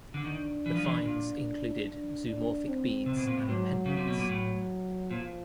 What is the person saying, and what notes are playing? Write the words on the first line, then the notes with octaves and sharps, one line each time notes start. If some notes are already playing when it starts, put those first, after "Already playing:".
The finds included zoomorphic beads and pendants.
D3
D#3 D4
E3
F3
D3 E3
A#2
D4
D4
C4
C3
B2
A#2
A2
G#2 F#3
C#3
C3
B2
A#2
A2
A#2 F3